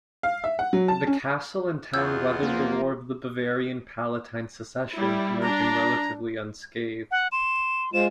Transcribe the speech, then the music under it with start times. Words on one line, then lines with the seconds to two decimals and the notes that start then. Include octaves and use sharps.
The castle and town weathered the War of the Bavarian-Palatine Succession, emerging relatively unscathed.
0.23 F5
0.44 E5
0.59 F#5
0.73 F#3
0.88 A5
1.07 C#4
1.94 E2 F4 G#4 E6 G6 G#6
2.43 F3 A#3
4.93 G3 E4
5.42 D4 A#5
7.11 F#5
7.32 C6 E7
7.94 G#3 F4 C5 E7